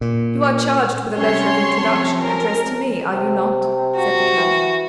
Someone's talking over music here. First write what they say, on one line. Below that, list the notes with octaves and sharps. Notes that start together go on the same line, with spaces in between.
"You are charged with a letter of introduction addressed to me, are you not?" said the count.
A#2
C3 G3 C#4 C#5 C6
F3 C4 A5
A#4
C3
F#4
E3